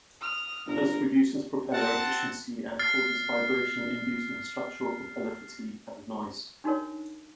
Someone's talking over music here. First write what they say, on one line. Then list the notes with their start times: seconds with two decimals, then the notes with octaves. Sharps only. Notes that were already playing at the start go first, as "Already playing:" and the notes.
This reduces propeller efficiency and causes vibration inducing structural propeller fatigue and noise.
0.21 D#6 F6
0.66 G1 A#4
1.72 C4 F#5 A5
2.79 F6 A6 C7
6.64 D4 D#4 F#4 A#4 C#5